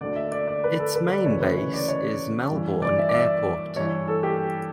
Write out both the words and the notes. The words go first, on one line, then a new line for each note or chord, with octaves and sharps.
Its main base is Melbourne Airport.
D2 D3 D5
E5
D5
D5
B4
A4
B4
D5
D2 C#3 E3 C#5
B4
C#5
D5
C#5
G2 E3
D5
E5
D5
E5
G2 E3 C#5
A4
G4